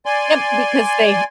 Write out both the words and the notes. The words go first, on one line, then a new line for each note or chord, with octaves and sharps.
Yep, because they h
D5 G#5 C6